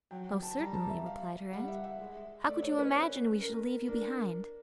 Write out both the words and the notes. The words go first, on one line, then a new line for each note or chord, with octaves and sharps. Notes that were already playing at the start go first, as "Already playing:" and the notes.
'Most certainly,' replied her aunt, 'how could you imagine we should leave you behind?
F#3 G5
A5
G3 A#5
A5
E5
F5
G3 F#5
E5
E5
G#3
A3 D5
C#5
B4
C#4
A#4
D4 A#4